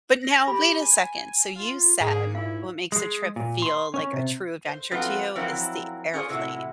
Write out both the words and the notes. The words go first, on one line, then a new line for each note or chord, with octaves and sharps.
But now, wait a second, so you said what makes a trip feel like a true adventure to you is the airplane,
A#6
G4 B5
G#5
F4
G#2 A#3 G#4
A#2 E4 F5
G#3
A#2
C6
C#4
C3
C5
F3 F#3 A3 B3 C4 F4
F3 F#3 A#3 C4 C#4 E4
C#4 F4 G#4 C5 D5
A2 C3 E4 F#4